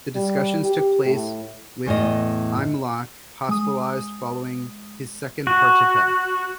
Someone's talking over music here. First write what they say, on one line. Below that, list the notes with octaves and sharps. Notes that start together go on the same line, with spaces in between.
The discussions took place with Imlach hospitalized following his second heart attack.
G3
G4
A2
E2 A2 D#5
G#3 D#6
F#4